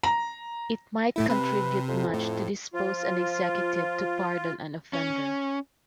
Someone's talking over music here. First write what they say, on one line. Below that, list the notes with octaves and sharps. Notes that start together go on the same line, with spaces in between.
It might contribute much to dispose an executive to pardon an offender.
A#5
A2 A3 E4
C3 B4
F2
A2
F3 F4
C#4